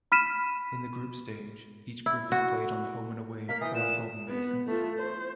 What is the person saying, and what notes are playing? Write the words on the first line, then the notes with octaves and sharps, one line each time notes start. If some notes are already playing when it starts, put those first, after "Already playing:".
In the group stage, each group is played on a home-and-away round-robin basis.
B5 F6 B6 D#7 E7
E4
F#4
A#3 A#4 F5 B6
E3 G5 D#6
A#2 F#5 E7
B3
A3 F4
C5